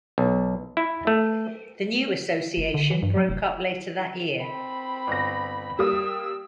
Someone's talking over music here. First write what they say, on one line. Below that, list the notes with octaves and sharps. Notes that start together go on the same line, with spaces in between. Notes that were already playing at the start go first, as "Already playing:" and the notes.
The new Association broke up later that year.
B1
E4
A3
F#1
D3
E3
G2
F#3
F1
C4 B5
G1 A#6
G3 A#3 D#6 E6